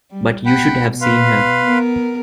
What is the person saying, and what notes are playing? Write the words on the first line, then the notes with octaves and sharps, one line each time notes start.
But you should have seen her!
G3
B2 F#5 G5 B5
B4 F5 C6
B3 A#4